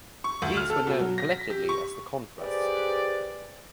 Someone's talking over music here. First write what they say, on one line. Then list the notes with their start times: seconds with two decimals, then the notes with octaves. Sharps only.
These were known collectively as the Contras.
0.24 C#6
0.42 D2
0.57 F6
0.70 A4
0.87 B2
0.99 F#3
1.18 A#6
1.31 B6
1.50 G4
1.69 C#6
2.39 G4 G#4 B4 C5 D5